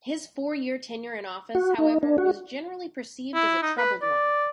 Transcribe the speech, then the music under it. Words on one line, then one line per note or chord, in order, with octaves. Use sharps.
His four-year tenure in office, however, was generally perceived as a troubled one.
F#4
D#4
D4
F#4
E4
D#4
B4
D5